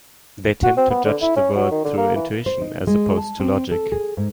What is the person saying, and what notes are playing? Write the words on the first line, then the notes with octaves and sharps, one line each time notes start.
They tend to judge the world through intuition as opposed to logic.
F#4
C4
B3
D3
E4
C#4
F#3
D#3
D3
A#3
E3
C5
D#4
G#3
A5
C4
A4
G#4
G#2